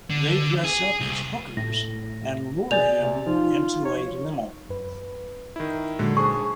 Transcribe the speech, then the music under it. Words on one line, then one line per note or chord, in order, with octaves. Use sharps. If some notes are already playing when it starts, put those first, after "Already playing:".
They dress up as hookers and lure him into a limo.
D3
G#4
C2
A2 A#6
B2 G#4 D5 G#5 A6 F7
C3
F3 D#4 F4
C#5
F#2 B4
D#3 E4
A#2 D3 F#3 G#3 D4
G#4 C5 A5 C#6